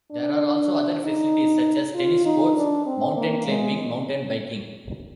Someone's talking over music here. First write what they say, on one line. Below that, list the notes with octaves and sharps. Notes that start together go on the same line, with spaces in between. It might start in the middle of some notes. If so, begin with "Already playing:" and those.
There are also other facilities such as tennis courts, mountain climbing, mountain biking.
D4
D#4
F4
D#4
D4
C4
A#3
G#3